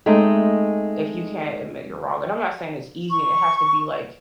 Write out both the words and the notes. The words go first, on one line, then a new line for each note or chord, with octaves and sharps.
if you can't admit you're wrong, and I'm not saying it's easy and it has to be like,
G#3 A3 C4 D#4
C#6